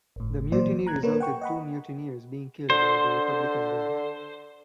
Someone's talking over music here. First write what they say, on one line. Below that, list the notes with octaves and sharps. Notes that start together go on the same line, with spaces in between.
The mutiny resulted two mutineers being killed by the Republican Guard.
G1 A2
A#2 E3 F#3 A#3 C5 D5
A#5 F#6 G#6
A#3 A#4 B4 C#5
F#5 G5 C#6
D#5 F#5 B5
D3 C5